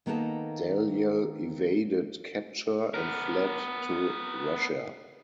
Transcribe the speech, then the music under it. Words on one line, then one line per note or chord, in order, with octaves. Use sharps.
Dalyell evaded capture and fled to Russia.
D#3 A#3 B3 D#4 A4
B3 A#4